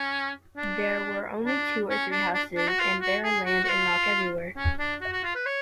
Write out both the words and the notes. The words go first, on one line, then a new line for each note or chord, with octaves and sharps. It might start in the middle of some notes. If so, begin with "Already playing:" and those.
There were only two or three houses and barren land and rock everywhere.
Already playing: C#4
D4
D4
C#4
D4
D4
D4
F#4
F4
F#4
G#4
F#4
F#4
F4
C#4
D4
F#4
F#4
F4
B4
C#5